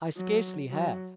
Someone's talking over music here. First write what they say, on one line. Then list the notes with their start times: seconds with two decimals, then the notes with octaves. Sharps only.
"I scarcely have."
0.17 F#3
0.71 F#3